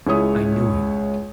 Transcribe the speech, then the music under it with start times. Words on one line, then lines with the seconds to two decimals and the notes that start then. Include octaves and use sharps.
I knew him.
0.07 C#2 G#3 E4 C#5 D#6